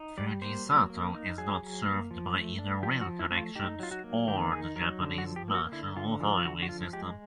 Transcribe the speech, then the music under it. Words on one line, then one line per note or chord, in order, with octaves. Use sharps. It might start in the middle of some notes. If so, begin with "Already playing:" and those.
Fujisato is not served by either rail connections, or the Japanese national highway system.
Already playing: D#4
G3 D5
A#3 C5
F#3
A#3
D#4
F#3 G#4
F#3
A#3
F3
A3
D4
F3 G4
F#4
F3
E4
A3
F4
D#4 G4
F#3 F4
F#4
A#3
D#3 G4
D#4 G#4
F#3 A#4
D3
F#4
F3
G4
A#3
F#4
D3 E4
D3 F4
F3
F4
D3 F#4
F#4
F3 F4
G#3 G4